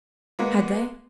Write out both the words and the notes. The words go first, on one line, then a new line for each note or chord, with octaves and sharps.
Had they?
G#3 A#3 B3